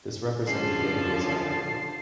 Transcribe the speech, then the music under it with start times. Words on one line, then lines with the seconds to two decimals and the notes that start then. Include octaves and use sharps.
This represents a database record.
0.47 D3 F3 G#3 C#4 D4 A5 C7